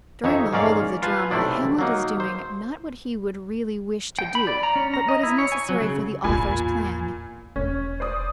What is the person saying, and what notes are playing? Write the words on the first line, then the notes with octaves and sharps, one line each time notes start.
During the whole of the drama, Hamlet is doing, not what he would really wish to do, but what is necessary for the author's plan.
F2 D#4 C#5 E5
G#2 A#3 C#4 D5 F5
F4 B4 G#5 A5
B1 C3 A3 D4 E4 D5
F#3 A#3 D#4
C5
G5
B5
D5
A#5
C#4
A#5
D#5
E4
C#5
G#5
F#3
C#3
A1 E2 A#2 G#5 B5
E1 C#4
C5 D5 D#6